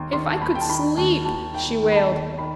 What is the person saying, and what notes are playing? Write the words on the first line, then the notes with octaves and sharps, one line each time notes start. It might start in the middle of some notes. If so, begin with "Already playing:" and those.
"If I could sleep," she wailed.
Already playing: D#2 D#3 C6
D#3 C6
A5
D#2 B5
G5
A5
D#3 B5
D#2 A5
D#2 A5
D#3 G5
D#3
B5
A5
D#2
D#3 B5